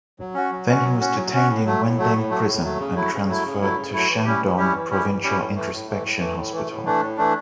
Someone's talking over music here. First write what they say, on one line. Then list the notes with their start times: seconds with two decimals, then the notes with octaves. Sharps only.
Then he was detained in Wendeng prison and transferred to Shandong Provincial introspection hospital.
0.19 F#3
0.34 C#4 F#4
0.51 F#3
0.68 C#4 F#4
0.83 F#3
1.00 C#4 F#4
1.16 F#3
1.33 C#4 F#4
1.48 A2
1.65 F#3 A3
1.81 A2
1.98 F#3 A3
2.14 A2
2.30 F#3 A3
2.46 A2
2.62 F#3 A3
2.79 C#3
2.95 F#3 A3 E4
3.11 C#3
3.28 F#3 A3 E4
3.44 C#3
3.60 F#3 A3 E4
3.75 C#3
3.93 F#3 A3 E4
4.08 E3
4.25 G3 C#4 E4 G4
4.40 E3
4.57 G3 C#4 E4 G4
4.74 E3
4.90 G3 C#4 E4 G4
5.06 E3
5.22 G3 C#4 E4 G4
5.38 A2
5.55 E3 A3
5.71 A2
5.87 E3 A3
6.04 A2
6.20 E3 A3
6.36 A2
6.52 E3 A3
6.68 A2
6.85 E3 A3 D4
7.01 A2
7.17 E3 A3 D4